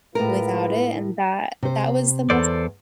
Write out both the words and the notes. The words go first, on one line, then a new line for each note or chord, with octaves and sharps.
without it, and that that was the most
A2 G#3 F4 A#4 B4
C3 C5
E2 B3 A4 C5 D5